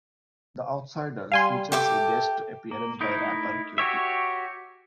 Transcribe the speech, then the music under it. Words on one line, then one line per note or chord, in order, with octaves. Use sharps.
"The Outsiders" features a guest appearance by rapper Q-Tip.
G3 F5 G#5 C6
G4 A4 E5 D6
A#3
A3 D#4 E4 A#4
F#4 G4 C#5 E5